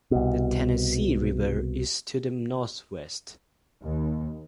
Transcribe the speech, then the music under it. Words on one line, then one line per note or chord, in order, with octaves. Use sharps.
The Tennessee River is to the northwest.
C2 B2
D#2